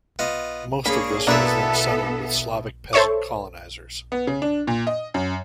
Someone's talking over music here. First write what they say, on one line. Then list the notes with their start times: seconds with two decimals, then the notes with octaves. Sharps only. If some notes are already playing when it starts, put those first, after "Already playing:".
Most of this was then settled with Slavic peasant colonisers.
0.19 B3 F4 D#5
0.86 A#3 D4 G#4 C#5 B5
1.27 B2 A#3 B3 D4 E4 A4 B4 E5
2.93 A4 C5 C#5 E5 C#6
4.12 B3
4.27 C#3
4.42 D4
4.67 A#2
4.87 D#5
5.14 F#2